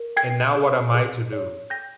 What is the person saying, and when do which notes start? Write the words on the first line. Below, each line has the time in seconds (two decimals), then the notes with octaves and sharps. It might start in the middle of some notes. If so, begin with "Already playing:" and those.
And now what am I to do?
Already playing: A#4
0.17 G5 G#6 C7
0.55 G#4
0.94 G#4
1.33 C#5
1.70 G5 G6 A#6